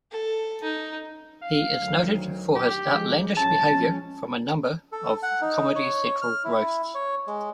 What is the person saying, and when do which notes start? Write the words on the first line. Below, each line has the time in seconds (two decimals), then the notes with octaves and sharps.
He is noted for his outlandish behavior from a number of "Comedy Central Roasts".
0.11 A4
0.63 D#4
1.42 F5
1.77 D2 D#3 F#3
2.55 G4
2.89 F3 G#3
3.37 A#1 F#3 C#4 A5
3.67 F3 G#3 C#4
4.92 A4
5.23 F#5
5.41 D#4
5.76 C#5
6.22 F6
6.44 E4
6.95 C#5
7.27 G#3